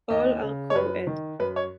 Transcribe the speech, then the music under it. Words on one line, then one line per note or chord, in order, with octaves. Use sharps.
All are co-ed.
D#2 D#5
C#3
C#5
F#2 B4
D#3
F#2 B4
C#5